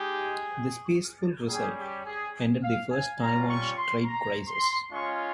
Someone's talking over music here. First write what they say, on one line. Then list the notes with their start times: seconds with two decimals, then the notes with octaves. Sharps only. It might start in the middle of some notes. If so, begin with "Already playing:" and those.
This peaceful result ended the First Taiwan Strait Crisis.
Already playing: G#3 D#4 G4 G#4
1.48 G3 C#4 G4 G#4
1.77 G4
2.05 G#4
2.63 F5
2.91 G#5
3.19 G3 C#4 F4 A#5
3.48 C#6
3.76 C6
4.05 A#5
4.48 C6
4.90 G#3 C#4 F4 C#6